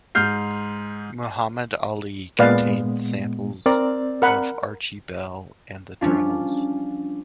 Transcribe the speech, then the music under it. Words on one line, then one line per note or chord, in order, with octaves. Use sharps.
"Muhammad Ali" contains samples of Archie Bell and The Drells.
G#2 F6 G6 C7
A#2 G#3 B3 B4 D5 F5
C4 A#4 D5
A#4 F#5 B5
F3 G3 C#4 D4 F4